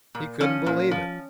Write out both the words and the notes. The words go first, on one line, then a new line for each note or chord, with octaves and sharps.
He couldn't believe it.
A#2
F3 C#4
A#2
F3